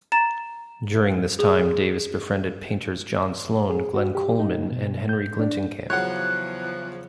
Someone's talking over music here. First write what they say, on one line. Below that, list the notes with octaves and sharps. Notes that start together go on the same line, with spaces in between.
During this time, Davis befriended painters John Sloan, Glenn Coleman and Henry Glintenkamp.
A#5 A6 E7
G#4
G#4
F#4
G4
D#4
B2
G6
D4
E2 C#3 F3 F#3 C#5 F#5 F#6